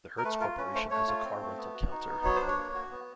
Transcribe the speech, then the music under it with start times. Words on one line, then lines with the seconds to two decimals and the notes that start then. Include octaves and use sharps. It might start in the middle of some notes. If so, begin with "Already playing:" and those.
The Hertz Corporation has a car rental counter.
0.18 A#4
0.24 A3 B4
0.41 F4 A#4
0.58 C#4 B4
0.74 A3 C5
0.90 A3 C#5
1.08 F4
1.24 C4
1.41 A3
1.58 B3
1.74 F#4
1.91 D#4
2.07 B3
2.24 F#3 C#5
2.36 C5
2.41 D4
2.48 C#5
2.57 A#3
2.74 F#4
2.91 B3